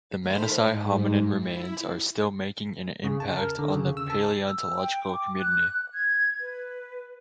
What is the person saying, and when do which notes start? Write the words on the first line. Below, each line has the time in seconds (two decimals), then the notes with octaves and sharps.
The Dmanisi hominin remains are still making an impact on the paleontological community.
0.20 D#3 A3 C5 B5 F6
0.57 G#2
1.36 E4
3.04 C#3
3.20 A5
3.37 A#4
3.59 D3
3.75 C#3
3.97 E6
4.10 A5
4.46 E6
4.77 G5
5.13 D6
5.39 F#6
5.94 G#6
6.40 B4